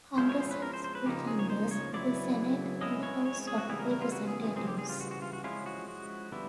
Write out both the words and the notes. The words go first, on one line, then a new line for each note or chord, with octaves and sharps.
Congress has two chambers: the Senate and the House of Representatives.
F3 G#3 C#4 E4 C5
C#5
C5
B4
A#4
C5
C5
B4
C#3 F3 A#3 D#4 G4
G4
G#4
C#5
C5
C#5
C#3 F#3 B3 E4 D5
G#3 C#4 E4 D#5
C#5
C#5
G#4
F#4
C#3 E3 G3 B3 E4 G#4
A#4
A#4
F4
F#4
G#4
G#4
C#3 E3 G3 C4 G#4
G4
G#4
F4
F#4
F#4
F4
F#4
F3 G#3 C#4 E4 F4
F#4
F#4
D3 G3 B3 E4